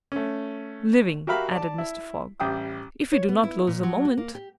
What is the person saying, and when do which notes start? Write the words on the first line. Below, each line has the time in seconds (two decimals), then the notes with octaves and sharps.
"Living," added Mr. Fogg, "if we do not lose a moment."
0.12 A3 C#4
1.27 F#4 G4 A#4 E5 F5 B5
1.52 D5 A5
1.78 E4
2.40 A1 G3 G5 D6 D#6
3.12 C#5
3.29 B3
3.44 E4
3.67 A#2
3.83 F#3
4.05 F#4
4.18 A#3
4.35 G4